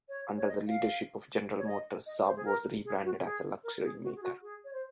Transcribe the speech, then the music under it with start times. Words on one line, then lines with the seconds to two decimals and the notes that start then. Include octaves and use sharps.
Under the leadership of General Motors, Saab was re-branded as a luxury maker.
0.09 C#5
0.37 C#5
0.48 D#5
0.68 F5
1.58 C#5
1.66 D#5
2.06 D#5
2.26 C5
2.36 G#4
2.45 A#4
2.85 G#4
3.04 F#4
3.20 A#4
3.24 G#4
3.63 A#4
3.83 G#4
4.03 F#4
4.15 G#4
4.22 F#4
4.42 G#4
4.64 C#5
4.73 C5